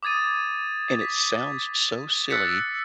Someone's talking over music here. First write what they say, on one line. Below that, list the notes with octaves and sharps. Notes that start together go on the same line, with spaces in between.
And it sounds so silly,
D6 D#6 G#6 A6 D#7
B6
E6 F#6 A6 B6 C#7